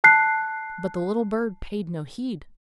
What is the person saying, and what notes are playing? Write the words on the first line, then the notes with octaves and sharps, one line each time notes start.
But the little bird paid no heed.
A5 F#6 C7